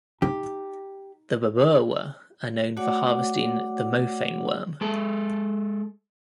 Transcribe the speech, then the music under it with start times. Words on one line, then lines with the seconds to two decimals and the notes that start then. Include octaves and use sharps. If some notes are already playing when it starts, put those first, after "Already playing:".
The babirwa are known for harvesting the mophane worm.
0.22 D#4 G4
2.77 A3 F#4 C#5 D5 F#5 D6
4.81 G#3 A4